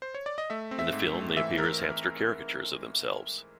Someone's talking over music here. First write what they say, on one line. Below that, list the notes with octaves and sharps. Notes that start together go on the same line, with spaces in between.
In the film they appear as hamster caricatures of themselves.
C5
C#5
D5
D#5
A3 E5
C4
E5
G#2
A3
E3 E5
E3 A#4